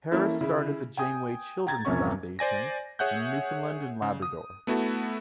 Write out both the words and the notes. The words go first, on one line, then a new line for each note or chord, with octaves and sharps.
Harris started the Janeway Children's Foundation in Newfoundland and Labrador.
E3 A#3 C#4 E4 A4
C#3 E4
G5 G#5 D#6
G5 A#5 G#6 A6
E1 A#1 C3 C#4 C#6
C5 D5 G#5 A#6
G#4 C#5 E5 F#5 F#6 G6
C#3
D#6
A3 B3 E4 F#4 A4